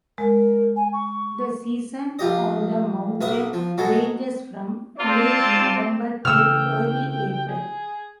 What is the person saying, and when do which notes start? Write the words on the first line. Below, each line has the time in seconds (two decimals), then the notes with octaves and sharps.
The season on the mountain ranges from late November to early April.
0.18 G#3 A#4
0.76 G#5
0.93 C#6
2.19 A#1 F4 G4 D#5
3.21 B1 B4 E5 D#6
3.53 F3
3.78 B2 F#3 G#3 A4
5.00 C4 F4 D5 A5
6.25 C#3 E3 A3 G5 E6 F6
7.48 G#4